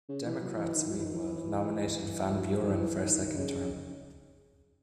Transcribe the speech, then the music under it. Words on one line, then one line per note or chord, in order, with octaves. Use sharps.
Democrats, meanwhile, nominated Van Buren for a second term.
C#3
E3
F#3
E3
D#3
F#3
E3
D#3
E3
F#3
D#3
E3
D#3
C#3